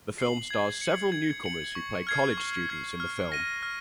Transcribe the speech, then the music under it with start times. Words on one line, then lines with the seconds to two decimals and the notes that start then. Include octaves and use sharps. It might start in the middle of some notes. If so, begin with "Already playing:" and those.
The film stars several newcomers who play college students in the film.
0.18 C7 F#7
0.50 G#6
0.81 C#7 F#7
1.12 G#6
1.44 C#7 F#7
1.75 C#6
2.07 F6 G#6 C7
2.38 C#6
2.69 F6 G#6 C7
3.00 F6
3.32 A#6 D#7
3.63 F6